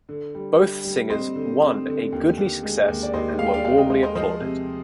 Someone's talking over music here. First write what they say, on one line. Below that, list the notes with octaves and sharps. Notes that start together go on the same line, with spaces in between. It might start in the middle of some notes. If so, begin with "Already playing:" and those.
Both singers won a goodly success and were warmly applauded.
D3
G3
G3
G3
C4 C5 D#5
D3
C4
D3
D#2
D#2
G#3
D#2
D5
D#2 C5 D#5
G#3 F5
G5
D5 F5
D#2 D5 F5
D#5 G5
G#3 C5
C5 D#5
F3 C5 D#5
C3